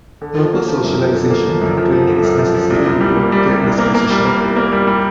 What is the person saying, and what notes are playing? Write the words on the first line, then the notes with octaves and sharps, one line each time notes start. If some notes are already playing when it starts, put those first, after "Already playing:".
Proper socialization and training is necessary due to their disposition.
D3
F3
A#3
F3
F#2
F3
D3
A#3
F3
F#2
F3
F3
D3
F#2
F3
F3
C2
C2
G3
A#3
G3
G3
C2
A#3
A#3
G3
A#3
C2
A#3
G3
G3